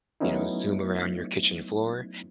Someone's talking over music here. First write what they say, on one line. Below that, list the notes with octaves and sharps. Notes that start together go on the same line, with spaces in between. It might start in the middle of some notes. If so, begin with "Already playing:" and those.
you know, zoom around your kitchen floor.
F#3 A3 B3 C#4 D#4 E4